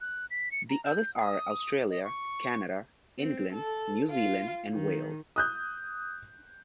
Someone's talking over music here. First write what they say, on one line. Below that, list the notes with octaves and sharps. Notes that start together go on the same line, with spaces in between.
The others are Australia, Canada, England, New Zealand and Wales.
F#6
B6
C#7
A#5
G6
D#6
D#5
C#6
C4
A4
F4
D#3
D#6 F#6 G6